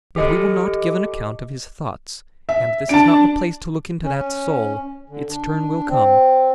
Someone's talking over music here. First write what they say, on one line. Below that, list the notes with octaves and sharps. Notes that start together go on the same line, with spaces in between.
But we will not give an account of his thoughts, and this is not the place to look into that soul--its turn will come.
G4 A4 D#5
E5
D4 A5 D7
C#4
D3
D4
C4